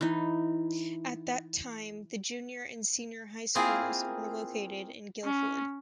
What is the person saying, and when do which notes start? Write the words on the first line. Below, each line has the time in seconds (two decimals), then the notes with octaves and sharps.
At that time the Junior and Senior High Schools were located in Gildford.
0.01 E3 D#4
3.55 A#3 C4 E4 F4 G#4 A#4
5.24 C#4